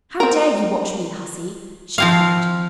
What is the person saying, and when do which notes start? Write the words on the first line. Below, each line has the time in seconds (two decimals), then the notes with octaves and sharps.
"How dare you watch me, hussy?" she cried.
0.20 C4 A#4
1.98 F3 C4 F5